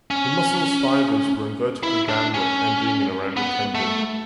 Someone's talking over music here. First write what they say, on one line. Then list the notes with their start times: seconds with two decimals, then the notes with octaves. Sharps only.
The muscle's fibers run vertically downward, ending in a rounded tendon.
0.11 C#4
1.83 E4
2.09 D4
2.34 C#4
3.37 B3
3.75 A3